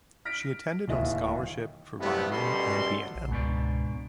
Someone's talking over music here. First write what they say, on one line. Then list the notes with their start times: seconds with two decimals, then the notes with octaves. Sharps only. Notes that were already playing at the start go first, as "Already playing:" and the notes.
She attended on scholarship for violin and piano.
0.25 F6 A#6 B6 D7
0.88 D1 D#2 D#5 E5
2.00 A2 C3 F3 G3 A3 B3
2.30 F#2 B2 D3 G3 A4 C6
3.15 A#1
3.31 C#2 G#2 B2 D4